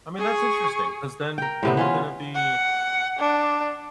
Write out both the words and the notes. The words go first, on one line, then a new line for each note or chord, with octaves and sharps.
I mean, that's interesting 'cause then then we're gonna be
G#4 C#6
A#4 G5
A2 C3 B3
E3 C#4 F4
F#5
D4